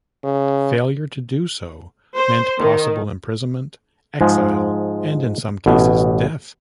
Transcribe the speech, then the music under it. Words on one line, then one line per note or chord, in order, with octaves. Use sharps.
Failure to do so meant possible imprisonment, exile, and, in some cases, death.
C#3
C5
D#3
G#2 F3 G#3
A1 B2